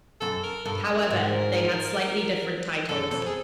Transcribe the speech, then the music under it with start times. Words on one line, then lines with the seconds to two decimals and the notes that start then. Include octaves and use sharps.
However, they had slightly different titles.
0.21 F#2 A4
0.43 A#4
0.65 G2 A4
0.88 A#4
1.11 G#2
2.89 F#2 A4
3.11 F2 A4
3.26 G#4